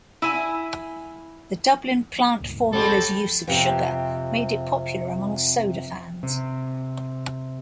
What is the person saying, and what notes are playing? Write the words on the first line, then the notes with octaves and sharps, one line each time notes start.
The Dublin plant formula's use of sugar made it popular among soda fans.
E4 G#5
C#2 G2 A#2
G3 C4 F#4 A4
F2 C3
C3